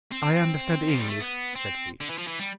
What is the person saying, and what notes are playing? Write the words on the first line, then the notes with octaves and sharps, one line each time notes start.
"I understand English," said he.
C4
F3
G3
A3
B3
C4
D3
E3
F3
E3
G3